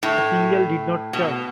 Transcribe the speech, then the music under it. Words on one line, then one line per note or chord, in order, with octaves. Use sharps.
The single did not chart.
A2
B2